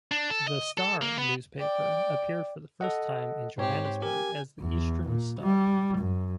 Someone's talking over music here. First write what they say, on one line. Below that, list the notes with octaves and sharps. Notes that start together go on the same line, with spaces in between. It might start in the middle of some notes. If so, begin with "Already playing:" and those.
"The Star" newspaper appeared for the first time in Johannesburg as The Eastern Star.
D4
A4
D#5
A4
A#3
B3
D5 G5
A4 D#5 F#5
G#2 C4 G4 C#5
G4 A#4 G#5
E2
A#2
G3
F#2